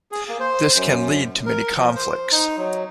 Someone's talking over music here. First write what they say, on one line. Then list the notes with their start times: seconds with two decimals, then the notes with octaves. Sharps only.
This can lead to many conflicts.
0.12 G#4
0.29 A#3
0.40 C5
0.74 F#2
1.46 A#4
1.76 F3
1.96 C5
2.32 D#4
2.57 F#3